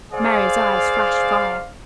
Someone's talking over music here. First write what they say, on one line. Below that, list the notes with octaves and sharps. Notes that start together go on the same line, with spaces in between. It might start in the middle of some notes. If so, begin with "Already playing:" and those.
Mary's eyes flashed fire.
G#4 C5 D5 F5